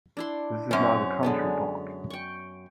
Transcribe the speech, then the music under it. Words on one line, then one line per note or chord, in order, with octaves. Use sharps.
This is now the Country Park.
D4 E4 C6
F#2 C4 C#4
D3 G#3 B3
G5 C#6